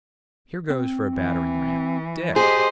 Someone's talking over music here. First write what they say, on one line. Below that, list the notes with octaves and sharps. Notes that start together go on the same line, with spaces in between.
Here goes for a battering-ram, Dick!'
C4
E3
G4 G#4 C5 D#5